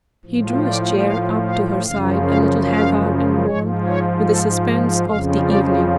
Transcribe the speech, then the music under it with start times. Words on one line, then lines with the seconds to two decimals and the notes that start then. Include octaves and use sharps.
He drew his chair up to her side, a little haggard and worn with the suspense of the evening.
0.25 A2 F3
0.65 D5
1.05 F5
1.45 F5
1.86 F#2 C#3 F3 F5
2.26 F5
2.66 F5
3.46 G#2 F3 C#5
3.86 C#5
4.27 A4
5.07 F2 C#3 F3 F5
5.46 D5